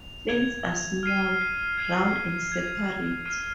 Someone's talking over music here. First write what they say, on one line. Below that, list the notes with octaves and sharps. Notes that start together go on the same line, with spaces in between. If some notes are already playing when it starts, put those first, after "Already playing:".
Fins are small, round and separate.
Already playing: F7
G#6 F7
F6 C7 D#7
F6 G#6 C7 D#7
G#6 F7
F6 C7 D#7